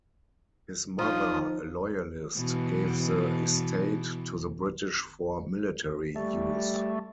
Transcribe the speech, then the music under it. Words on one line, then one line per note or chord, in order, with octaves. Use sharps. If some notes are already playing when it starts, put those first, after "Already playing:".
His mother, a loyalist, gave the estate to the British for military use.
F3 D#4 F4 D#6
B2 E3
G3 A3